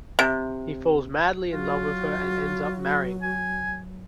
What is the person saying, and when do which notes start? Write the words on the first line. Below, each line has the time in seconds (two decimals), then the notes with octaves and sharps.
He falls madly in love with her and ends up marrying her.
0.19 C3
1.52 F#3 F4 F#4
3.22 G#5